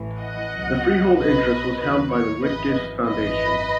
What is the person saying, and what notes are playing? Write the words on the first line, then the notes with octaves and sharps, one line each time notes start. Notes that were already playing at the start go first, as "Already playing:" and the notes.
The freehold interest was held by the Whitgift Foundation.
Already playing: A1 A2 E3
D#5 F#5
C#2 B2 F#3
B1 B2 F#3 B4 D#5
D#2 D#3 F#3 B4
C#5
G#1 F#2 E3 B4 D#5
G#1 F#2 E3 B4 D#5